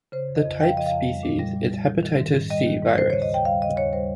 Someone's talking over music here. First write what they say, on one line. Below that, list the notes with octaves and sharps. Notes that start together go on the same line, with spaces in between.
The type species is Hepatitis C virus.
C#3 C5
F2
D#5
F2
F3 G5
F5
C#3 D#5
F5
F2
G3
A#2
G3
A#2
G3
A#2
D#3
G#2
G#2
G3 D#5
D#3
G#2
C#3 C5
C#5
D#2
D#5
D#2 G5
G3 F5
C#3 D#5
D#2 C#5
G3 C5